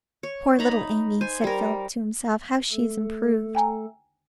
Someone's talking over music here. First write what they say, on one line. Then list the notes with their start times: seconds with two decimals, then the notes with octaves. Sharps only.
'Poor little Amy!' said Philip to himself, 'how she is improved.
0.23 C#5
0.59 D#4 A#5 B5
1.21 C5 G#5
1.44 G3 A#4
2.72 A3 A4
3.55 G5 G#5 A#5